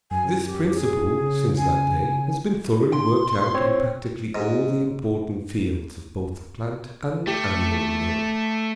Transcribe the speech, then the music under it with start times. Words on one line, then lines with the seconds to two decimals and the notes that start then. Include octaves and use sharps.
This principle, since that day, has been thoroughly worked out in practically all the important fields of both the plant and animal world.
0.11 F#2 G#5
0.46 G4
0.73 G#4
1.17 C#3
1.58 G#5
2.93 C6
3.54 C4 C#5
4.35 G#2
7.27 A3 G4